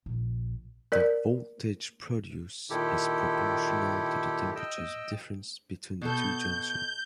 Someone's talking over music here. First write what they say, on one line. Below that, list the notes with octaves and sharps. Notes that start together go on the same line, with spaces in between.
The voltage produced is proportional to the temperature difference between the two junctions.
A#1
A#4 D5
A#2 D#3 E4 G4 A4
D#5 G5 E6
B2 A4 G6